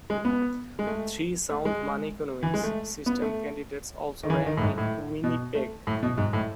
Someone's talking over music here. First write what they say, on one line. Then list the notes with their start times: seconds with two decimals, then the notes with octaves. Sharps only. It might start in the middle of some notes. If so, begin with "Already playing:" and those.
Three Sound Money Economics System candidates also ran in Winnipeg.
0.10 G#3
0.25 B3
0.79 G#3
0.87 A3
1.50 A3
1.65 G#3
2.43 E3
2.54 G#3
2.63 A3
3.06 B3
3.22 A3
4.23 D#3
4.30 E3
4.46 D#3
4.57 A2
4.62 G#2
4.78 A2
5.24 B2
5.55 A3
5.87 A2
6.03 B2
6.18 G#2
6.33 A2